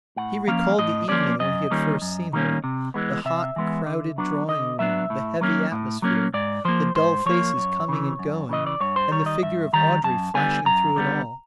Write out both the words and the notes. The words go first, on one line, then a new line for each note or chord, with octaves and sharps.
He recalled the evening when he had first seen her--the hot, crowded drawing-room, the heavy atmosphere, the dull faces coming and going, and the figure of Audrey flashing through it all.
A2 F#5
F3 A#3 C#4 F5
A2 D#5
F3 A#3 C#4 D5
F#2 D#5
D#3 G3 A#3 C#4
F#2
D#3 G3 A#3 C#4
C3
E3 G#3 B3
C3 E5
E3 G#3 B3
D3
F#3 B3 D4
D3 D#5
F#3 B3 D4 E5
A2
F#3 A#3 C#4
A2
F#3 A#3 C#4
G#2 D5
F3 A#3 C5
G#2 C5
F3 A#3 C#5
F#2
C#3 E3
F#2
C#3 E3 D#5
D5
G2 C#5
C5
D#3 G3 C#5
D#5
G2 E5
D#3 G3 A#5
F#2 A5
D3 G3 B3 G#5
F#2 A#5
D3 G3 B3